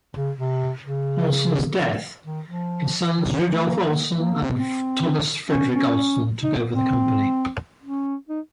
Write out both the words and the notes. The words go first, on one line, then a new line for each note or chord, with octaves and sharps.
Olsen's death, his sons Rudolf Olsen and Thomas Fredrik Olsen took over the company.
C#3
C3
C#3
D#3
F3
D#3
D#3
F#3
A3
A#3
A#3
A#3
C4
C#4
C#4
D#4
C4
C#4
D#4